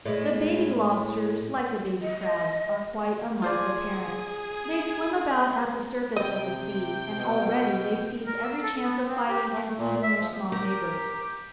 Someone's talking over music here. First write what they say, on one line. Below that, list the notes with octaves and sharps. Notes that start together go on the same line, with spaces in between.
The baby Lobsters, like the baby Crabs, are quite unlike their parents. They swim about at the surface of the sea, and already they seize every chance of fighting and eating their small neighbours.
A2 G#3
D#5
F4 G#4 C5 D5
C3 D#5 G5
B2
A#4
E6
A4
B3
C4
G4
A3
A#2
E5
F3
G4 A#4